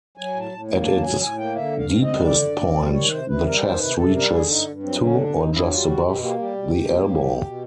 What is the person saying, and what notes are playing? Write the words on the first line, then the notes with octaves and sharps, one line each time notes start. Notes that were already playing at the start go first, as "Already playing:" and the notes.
At its deepest point the chest reaches to, or just above, the elbow.
F#3 G#5
A2
A5
A2
A#3
F#3 A5
A2 G#5
A2 G#5
A#3 G5
D3 E5
G2
F5
C4
D#5
G3
D3 D5
G2
C4
G3
D#3 C#5
C3 C5
C3 B4
G3 A#4
D#3 C5
C3 B4
C3 A4
G3 A#4
D3 G#4
G2 D#4
G2
F#3 C4
D3 C#4
G2 D4
G2 D#4
F#3 E4
G3 F4
B2 F#4
B2 G4
A#3 G4
G3 G4
B2
B2
A#3
F#3
B2
B2